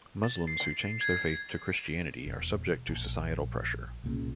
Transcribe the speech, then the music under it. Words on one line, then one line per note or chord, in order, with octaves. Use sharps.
Muslims who change their faith to Christianity, are subject to societal pressure.
A6
C7
G#6
E1
A#1
C2 A#2 C#3